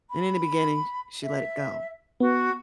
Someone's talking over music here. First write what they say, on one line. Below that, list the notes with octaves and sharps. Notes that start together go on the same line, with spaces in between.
and in the beginning, sh she let it go,
B5
E5
B3 F#4